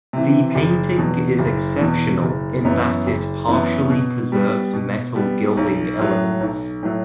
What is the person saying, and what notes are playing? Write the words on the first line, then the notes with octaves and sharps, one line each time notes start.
The painting is exceptional in that it partially preserves metal gilding elements.
C3 E3
F#1
E2 B2
F#1
E2 B2
F#1
F#2 E3 B3
F#1
F#2 E3 B3
B2
G3 B3
B2
G3 B3
B1
A2 F#3
B1
A2 F#3